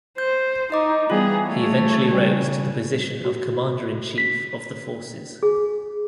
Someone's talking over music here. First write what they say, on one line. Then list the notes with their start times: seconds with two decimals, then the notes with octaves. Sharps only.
He eventually rose to the position of Commander-in-Chief of the Forces.
0.18 C5 G6
0.72 D#4 D#5 D6
1.10 E3 G3 B3 F4 G#4
1.46 A3 C#5
2.12 C#3 G3
3.25 F#4
4.18 B6
5.43 G#4